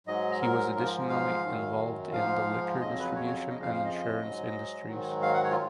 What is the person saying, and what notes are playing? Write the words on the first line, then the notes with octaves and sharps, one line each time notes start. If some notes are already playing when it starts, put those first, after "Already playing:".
He was additionally involved in the liquor distribution and insurance industries.
G#2 F#3 D#5
A#4
G#2 F3 A#4
F5
F#2 D#3 F#3
G#2 F3 F5
F2 C#3 F#3 D#5
B4
C#5
C#5
F2 C#3 F3 D#5
F5
F5
D#5
G#2 F#3
G#2 D#3 F#3
F5
F#5
C#5
F4